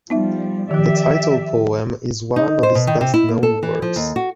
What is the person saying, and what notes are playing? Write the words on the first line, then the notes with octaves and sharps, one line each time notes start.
The title poem is one of his best known works.
F3 G3 B3 D#4 E5
D#3 F3 G4 D5 E5
D#4
C5
B2
D#3
C3
E4
A#3
A4
E3
F3
D#2
F#4